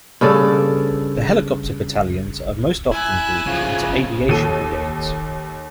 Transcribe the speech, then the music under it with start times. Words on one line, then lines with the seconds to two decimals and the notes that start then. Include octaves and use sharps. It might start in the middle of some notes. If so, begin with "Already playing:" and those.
The helicopter battalions are most often grouped into aviation brigades.
0.21 G2 C#3 A4 D5
2.92 E4 G#5 F#6
3.47 C#3 F3
4.29 D#2 A4 D#7